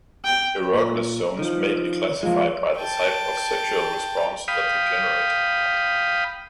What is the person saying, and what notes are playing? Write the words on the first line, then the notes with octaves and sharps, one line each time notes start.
Erogenous zones may be classified by the type of sexual response that they generate.
G5
A#2
D#3 F3
F3 G#3 A#3 F4
G5 A5
F5 G5 B5 D#6